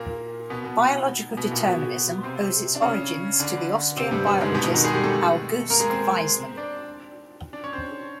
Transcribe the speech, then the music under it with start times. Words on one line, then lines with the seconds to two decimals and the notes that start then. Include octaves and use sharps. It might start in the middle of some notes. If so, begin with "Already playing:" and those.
Biological determinism owes its origins to the Austrian biologist August Weismann.
Already playing: A#2 A#3
0.50 B2 B3
0.64 B2 B3
1.37 B2 B3
1.51 A#2 A#3
1.65 B2 B3
2.23 C3 C4
2.75 D4
2.82 C#3 C#4
3.40 D3 D4
3.97 C3 C4
4.11 G2 G3
4.26 G2 G3
4.41 G#2 G#3
4.54 B2 B3
4.64 D#3 D#4
4.75 D#3 D#4
4.84 G#3 G#4
4.93 G3 G4
5.03 A3 A4
5.70 A#3 A#4
5.80 G#3 G#4
5.90 C4 C5
6.57 D4 D5
7.53 D4 D5
7.64 C#4 C#5
7.73 C4 C5